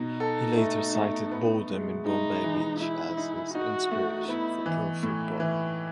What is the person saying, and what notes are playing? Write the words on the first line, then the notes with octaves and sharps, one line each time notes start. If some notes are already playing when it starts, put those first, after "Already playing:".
He later cited boredom in Bombay Beach as his inspiration for pro football.
Already playing: B2 D#4
A4
A3
A3
B3
G#3
G#3 D#4
E3
D#4 E4
D#4
D#4 F#4
A3
B3 E4
E3
A2
E3